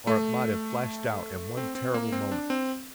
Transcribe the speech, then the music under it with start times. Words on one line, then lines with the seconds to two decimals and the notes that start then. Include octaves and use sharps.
Or it might have flashed out in one terrible moment.
0.07 A3
1.57 C4
1.75 C4
1.94 A#3
2.12 C4
2.32 D4
2.50 C4